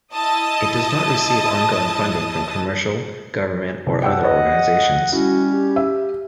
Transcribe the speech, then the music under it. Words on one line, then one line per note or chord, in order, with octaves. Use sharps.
It does not receive ongoing funding from commercial, government or other organisations.
E4 D#5 A5 D#6
C2
F#2 F3 F#5 G5 E6
B4 C#5 D#5
G3 C#4 E4 F#4
G4
E5